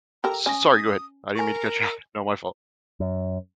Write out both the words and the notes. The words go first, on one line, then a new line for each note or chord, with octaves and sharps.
s sorry, go ahead. I didn't mean to cut you off. No, my fault.
G4 A4 A#4 A#5
C#4 G#5 D#6 A#6
A#4 G#5 C#6
F#2